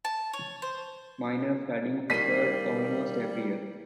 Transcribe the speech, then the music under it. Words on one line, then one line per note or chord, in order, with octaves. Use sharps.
Minor flooding occurred almost every year.
A5
C#5
C5
D#3 G3 A#3 B6 C7 D#7